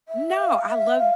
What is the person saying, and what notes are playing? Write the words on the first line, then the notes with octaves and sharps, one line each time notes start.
No, I love
E5
F5
E5
F5